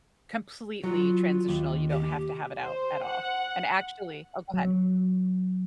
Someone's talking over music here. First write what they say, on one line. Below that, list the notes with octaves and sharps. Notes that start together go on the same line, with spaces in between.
completely transitional, you don't have to have it out at all, and actually Oh, go ahead.
F#3 F4
D#2
G4
C5
F#5
F#3